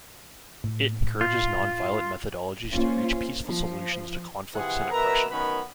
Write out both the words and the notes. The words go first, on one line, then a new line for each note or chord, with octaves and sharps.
It encourages nonviolent methodologies to reach peaceful solutions to conflicts and oppression.
A2
F4
A#3 C#4 F4 C5
F3
C3 E3 F3 G#4 F#5
B2 A#4 B4 E5 A#5
F#2 D#3 B3 C#4 B4 B5